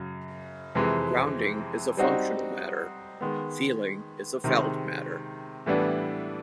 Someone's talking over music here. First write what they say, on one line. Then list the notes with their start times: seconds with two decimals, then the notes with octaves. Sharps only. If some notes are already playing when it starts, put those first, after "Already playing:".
Grounding is a functional matter; feeling is a felt matter.
Already playing: F#2 C#3 F#3
0.75 F2 C3 E3 G#3 C4
1.97 G3 C4 D#4 F#4
3.21 D#3 G#3 B3
4.44 C3 D#3 G#3
5.66 A2 E3 G3 B3 D4